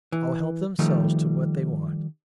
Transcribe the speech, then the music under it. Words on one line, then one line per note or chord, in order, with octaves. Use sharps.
All help themselves to what they want.
E3
D#3 F3 G3 A3